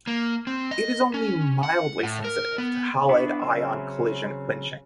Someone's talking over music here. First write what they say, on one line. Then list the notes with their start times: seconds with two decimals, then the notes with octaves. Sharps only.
It is only mildly sensitive to halide ion collision quenching.
0.07 A#3
0.47 C4
0.71 D#5
1.14 C#4
1.63 F#5
2.03 A2
2.24 A#4
2.58 B3
3.09 B3 D4 E4 B5 C#6
3.42 C#3 F#3 C4 C#4 E5